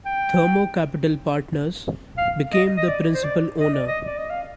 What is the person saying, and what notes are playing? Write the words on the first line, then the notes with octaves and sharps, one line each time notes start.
Thermo Capital Partners, became the principal owner.
G5
F5
D#5
D#5
D5
C5
D5
D#5
D5
D#5
D5
D#5
F5